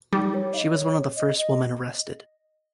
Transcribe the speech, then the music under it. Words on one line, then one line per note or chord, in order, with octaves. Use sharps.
She was one of the first women arrested.
G3 D#4
C#5
F5
D#5
C#5
D#5
D#5